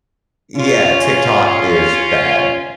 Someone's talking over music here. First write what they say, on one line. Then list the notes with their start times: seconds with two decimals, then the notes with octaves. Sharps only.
Yeah, TikTok is bad.
0.56 C#4 F4